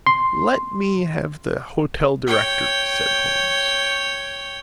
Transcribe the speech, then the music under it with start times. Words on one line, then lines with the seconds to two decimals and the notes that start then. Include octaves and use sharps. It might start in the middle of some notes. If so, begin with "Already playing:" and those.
"Let me have the Hotel Directory," said Holmes.
0.07 C6
2.26 C#5 G5